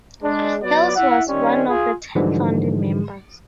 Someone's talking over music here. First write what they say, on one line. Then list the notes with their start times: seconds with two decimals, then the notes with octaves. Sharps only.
Hales was one of the ten founding members.
0.23 G#3 D4
0.62 F#3 B3 D5
0.96 E4 E5 F#5
1.28 D#3 G3 C4 C#4
1.69 F4 G#4
2.15 G#2 D3 E3 F3 G3 G#3